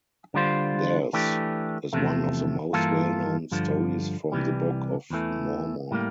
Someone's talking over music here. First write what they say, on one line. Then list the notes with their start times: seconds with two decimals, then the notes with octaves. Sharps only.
Theirs is one of the most well-known stories from the Book of Mormon.
0.34 D3 G3 D4 F4 C5
1.13 E3 A3 D4 G4
1.93 E2 C3 F3 A3
2.73 G2 E3 A#3 F4 A4
3.52 G2 D3 F3
4.32 C2 C3 E3 G3
5.10 E2 E3 A3
5.91 A2 G3 A#3